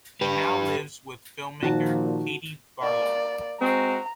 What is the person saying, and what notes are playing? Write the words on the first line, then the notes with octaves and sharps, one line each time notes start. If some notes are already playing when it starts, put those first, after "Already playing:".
He now lives with film-maker Katie Barlow.
G4 B4
A#2 D#3 F3 F#4 A5
A#3 D5
G#3 C4 F#4 A#5